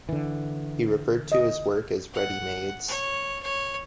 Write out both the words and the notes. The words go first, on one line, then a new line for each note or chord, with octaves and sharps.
He referred to his work as "Readymades".
D3 E3
D#5
F#5
C#5
C#5